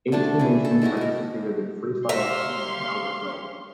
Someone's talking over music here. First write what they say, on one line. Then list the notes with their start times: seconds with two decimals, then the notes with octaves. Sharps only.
Eighteen nations participated in freestyle skiing at Albertville.
0.12 D3 A3 D4 A5
0.39 E4 G#4
0.65 A4
0.82 D#3 G#3 E4 F#4
0.97 F#4 A#4
2.09 A#3 G4 E5 F5 A#5 C6 C#6